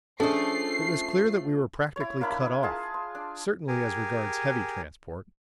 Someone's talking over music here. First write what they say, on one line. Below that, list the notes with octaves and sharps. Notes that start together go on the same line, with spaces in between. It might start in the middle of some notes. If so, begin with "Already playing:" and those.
It was clear that we were practically cut off, certainly as regards heavy transport.
F3 A3 C#4 D4 G#4 A4 C7
E4 C#5
A#3 D4 E4 B5
F4 G#4 A5
C6
D4
G4 G#4 A#4 G#5